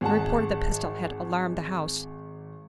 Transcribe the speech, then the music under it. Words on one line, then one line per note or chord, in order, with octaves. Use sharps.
The report of the pistol had alarmed the house.
G#1 G#4 F#5 A5